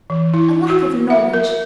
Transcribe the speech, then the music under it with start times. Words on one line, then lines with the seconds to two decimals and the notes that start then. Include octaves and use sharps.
A lack of knowledge.
0.10 E3
0.34 E4
0.70 F#4
1.10 E5
1.33 A#4